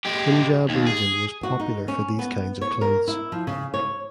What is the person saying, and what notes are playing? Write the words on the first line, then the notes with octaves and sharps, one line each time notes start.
Punjab region was popular for these kind of clothes.
G#3 G4
D#2
G#4
F#4
D#4
C#4
B3
C#5
A#4
E4
F3
C#3
C#5